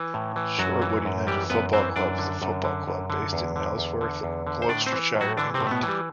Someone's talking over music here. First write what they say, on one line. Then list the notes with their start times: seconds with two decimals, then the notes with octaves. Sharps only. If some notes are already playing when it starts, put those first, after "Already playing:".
Shortwood United Football Club is a football club based in Nailsworth, Gloucestershire, England.
Already playing: E3
0.14 A2
0.36 E3
0.59 F#2 F#3 F#4
0.82 E3
1.05 F#2
1.27 E3 G3 G4
1.50 F#2 B3 B4
1.73 E3 C4 C5
1.96 F#2 D4 D5
2.19 D3
2.42 F#2
2.64 D3
2.88 F#2
3.10 D3
3.33 E2
3.56 D3
3.78 E2
4.01 D3
4.23 E2
4.47 D3
4.62 C5
4.69 A2 D4 D5
4.86 C4 C5
4.92 E3
5.15 A2
5.20 F#3 F#4
5.37 D3 E3 D4
5.54 C3 C4
5.60 A2
5.67 A3
5.71 B2 B3
5.83 E3
5.88 G3